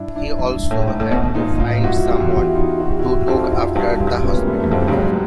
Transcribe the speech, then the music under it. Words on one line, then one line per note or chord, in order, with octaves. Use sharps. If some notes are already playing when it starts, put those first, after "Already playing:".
He also had to find someone to look after the Hospital.
Already playing: G2 D4 E4
D4 E4
G2
G#2
A2
G#2
A2
B2
B2
A#2 D#4 F4
A#2
A2 D#4 F4
G2 E4 F#4
F#2
F2 F4 G4
E2
E4 F#4
E4
D#4 F4
F#4
G4
E4 F#4
F2 D#4 F4
F2 E4 F#4
G2 E4 F#4
F#2 F4 G4
G2
F#2
B3 C#4
G#3 A#3
G3 A3
E2 A3
F2 G#3
G3
G2
F#3 G#3
G2